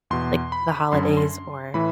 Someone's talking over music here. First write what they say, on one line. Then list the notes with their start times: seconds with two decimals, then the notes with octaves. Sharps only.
like, the holidays or
0.10 E2 B2 C6
0.52 B5
0.92 F#2 D3 C6
1.17 C6
1.74 A2 E3 B5